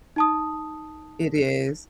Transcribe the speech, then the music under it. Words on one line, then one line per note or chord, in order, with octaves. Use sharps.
It is.
D#4 A5 D#6